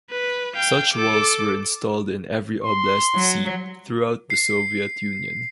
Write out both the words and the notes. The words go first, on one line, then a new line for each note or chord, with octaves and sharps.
Such walls were installed in every oblast seat throughout the Soviet Union.
B4
F5 G5
A4 D6
C6
F#3
C7